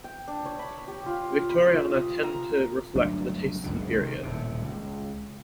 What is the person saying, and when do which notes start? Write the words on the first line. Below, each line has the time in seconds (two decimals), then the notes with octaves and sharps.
Victoriana tend to reflect the tastes of the period.
0.04 G5
0.28 D4
0.45 C#5
0.59 B5
0.88 G4
1.06 F4
1.49 B5
1.94 D#6
2.23 A#5
2.95 G1 F#3 A3 D4
3.64 F#1 C#2 B2
3.92 C3 D#3
4.23 D#1 A2 C3
4.61 C#2